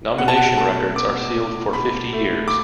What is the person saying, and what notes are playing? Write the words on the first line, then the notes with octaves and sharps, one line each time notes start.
Nomination records are sealed for fifty years.
B2 F#5
A5
F#5
A3 A5
B2 D6
A3
B2 B5
A3
D6